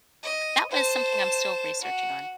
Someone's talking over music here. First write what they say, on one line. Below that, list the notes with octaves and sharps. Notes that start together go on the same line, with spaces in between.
that was something I'm still researching on.
D#5
C5 A5
F#4